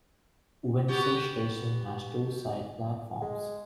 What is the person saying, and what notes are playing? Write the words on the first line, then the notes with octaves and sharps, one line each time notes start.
Windsor Station has two side platforms.
B3 F#4 G4
G#3